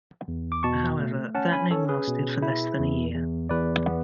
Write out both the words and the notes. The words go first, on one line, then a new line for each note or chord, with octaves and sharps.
However, that name lasted for less than a year.
E2
D6
B2 A5 C#6
A3
C#4 F#5 A5
G#5 B5
C#4 A4 C#5
G#4 B4
B2
E4
E2
E2
E2 B4 D5
B3